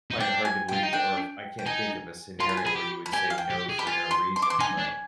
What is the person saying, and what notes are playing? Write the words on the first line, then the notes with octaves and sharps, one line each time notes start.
find it hard to believe that or if I can't think of a scenario where you would say no for no reason, but
D#4
D4 G5
G#5
F4 G5
D#4
D4 G5
G5
D#4 G#5
F4 C6
B5
G#5
G#4 B5
G4
B5
G4 G#5
F5
G5
G4
G#4
G4 B5
F4 G#5
C6
C6
D6
C6
D#4 G#5
D4